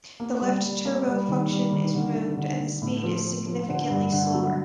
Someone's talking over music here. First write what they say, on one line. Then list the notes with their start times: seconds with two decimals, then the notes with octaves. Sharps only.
The left-turbo function is removed, and the speed is significantly slower.
0.20 A#3
0.42 G3
0.63 G3
0.85 A#3
1.08 G3
1.29 D#3
1.51 G3
1.73 D#3
1.95 D3
2.16 D3
2.37 D3
2.60 D3
2.82 A2
3.03 F3
3.25 F3
3.47 F3
3.69 D3
3.90 G2
4.12 D3
4.34 F#3